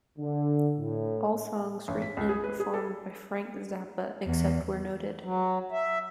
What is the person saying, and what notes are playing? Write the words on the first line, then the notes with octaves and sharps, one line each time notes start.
All songs written and performed by Frank Zappa, except where noted.
D3
A2
A1
B6
C#2
G#4
B4
G#4
A4
E2
F#3
E5